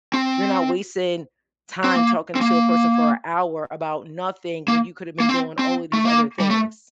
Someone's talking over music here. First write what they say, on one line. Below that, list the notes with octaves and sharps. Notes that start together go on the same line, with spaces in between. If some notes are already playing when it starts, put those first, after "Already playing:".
you're not wasting time talking to a person for a hour about nothing when you could have been doing all of these other things,
C4
C4
A#3
C4
A#3
A#3
A#3
C4
C4
A3
A#3
G3
A3